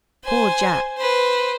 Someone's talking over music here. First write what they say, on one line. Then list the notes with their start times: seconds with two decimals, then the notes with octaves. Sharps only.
Poor Jack!
0.24 C5 G#5
0.98 B4 C5